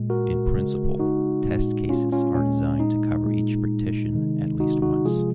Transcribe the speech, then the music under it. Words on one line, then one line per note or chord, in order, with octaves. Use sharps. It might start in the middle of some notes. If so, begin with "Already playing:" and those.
In principle, test cases are designed to cover each partition at least once.
Already playing: A#2 G#3
F#4 A#4
C#3 G#3
D#4 F#4
A#2 G#3
C#4 F4
C#4 F4
A#2 G#3 C#4
D#4
A#2 G#3
C3 D#3 G#3
D#4 F#4
D#4 F#4
C3 F3 G#3 F4 G#4